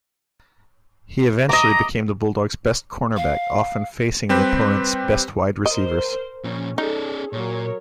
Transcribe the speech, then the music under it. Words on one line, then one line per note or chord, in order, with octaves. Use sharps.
He eventually became the Bulldogs' best cornerback, often facing the opponents' best wide receivers.
D#5 A#5 D6
F5
G3 C4 G4 B4
A#4 C5 D#5
A#2 F3 C#4
C#4 D#4 G#4 A4 D5
A#2 F#3 A#4 C#5